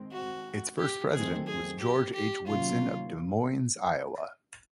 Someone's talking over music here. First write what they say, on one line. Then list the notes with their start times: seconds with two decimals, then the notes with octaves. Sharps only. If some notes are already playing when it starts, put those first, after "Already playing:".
Its first president was George H. Woodson of Des Moines, Iowa.
Already playing: D#3 G#3 C4
0.12 F#4
0.79 G4
1.13 D#3 F#3 A3 C4 G#4
1.47 G#4
1.80 G4
2.14 G4
2.47 C3 D#3 F#3 A#3 C#4 F4